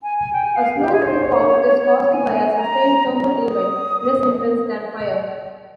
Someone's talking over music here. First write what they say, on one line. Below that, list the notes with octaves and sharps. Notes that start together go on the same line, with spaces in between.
A slow cook-off is caused by a sustained thermal event less intense than fire.
G#5
G#5
G5
G#5
F5
G4
G#4
C#5
C5
C#5
G#5
A#5
D#6